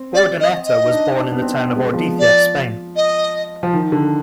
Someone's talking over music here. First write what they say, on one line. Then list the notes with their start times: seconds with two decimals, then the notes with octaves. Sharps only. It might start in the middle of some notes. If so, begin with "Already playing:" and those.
Urdaneta was born in the town of Ordizia, Spain.
Already playing: C4
0.14 D5
0.40 D#5
0.66 D#5
0.85 D#4
0.91 D4
1.17 D4
1.32 B3
1.42 C4
1.68 B3
1.76 G#3
1.83 B3
1.93 F3
2.19 D5
2.96 D#5
3.63 F3
3.73 D#3
3.92 D3